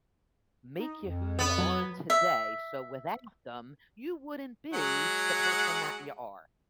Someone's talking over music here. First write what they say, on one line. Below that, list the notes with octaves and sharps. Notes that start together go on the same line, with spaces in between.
make ya who you are today, so without them, you wouldn't be the person that ya are.
D#4
F2
B3
F#3
E5
F#3 G#3 F#5